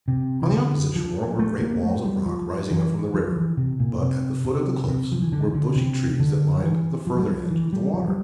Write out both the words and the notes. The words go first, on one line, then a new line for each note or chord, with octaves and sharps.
On the opposite shore were great walls of rock rising up from the river, but at the foot of the cliffs were bushy trees that lined the further edge of the water.
C3
E3
D3
F3
A3
A#3
A3
G3
F3
E3
F3
E3
C3
A#2
C3
C3
C3
F3
E3
D3
E3
D3
C3
D3
E3
F3
G3
F3
E3
G3
F3
G3